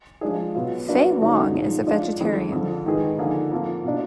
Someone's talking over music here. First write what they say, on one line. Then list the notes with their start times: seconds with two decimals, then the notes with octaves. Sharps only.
Faye Wong is a vegetarian.
0.21 F3 G#3 D4 G#4
0.54 B2 F#3 B3 F4
0.88 F#3 A#3 D4 F#4 B4
1.21 F#2 D3 G#3 D#4 F#4
1.53 A#2 F3 G#3 D#4
1.87 F3 G#3 D4 F4
2.20 F2 D#3 G#3
2.52 F2 D3 F3
2.86 D#3 G#3 D#4 G#4 B4
3.18 D3 F3 A#3 D#4 G#4
3.51 F2 F3 A#3
3.85 B2 A#3 D4